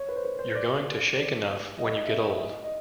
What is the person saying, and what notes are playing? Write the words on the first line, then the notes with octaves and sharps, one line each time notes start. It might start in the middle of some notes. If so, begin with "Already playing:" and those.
You're going to shake enough when you get old.
Already playing: C#5
B4
C5
B4
C5
D5
D5
D#5
D#5
E5
D#5
E5
D#5
D#5